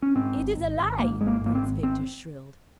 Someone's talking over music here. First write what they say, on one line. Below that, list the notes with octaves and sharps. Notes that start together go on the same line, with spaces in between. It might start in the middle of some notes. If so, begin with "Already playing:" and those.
"It is a lie!" Prince Victor shrilled.
C#4
G#2 C4
G#1
G#1
G#1
G#2 A#3
G#1 G#3
A#3
G#2
A#3
C4
G#1
C4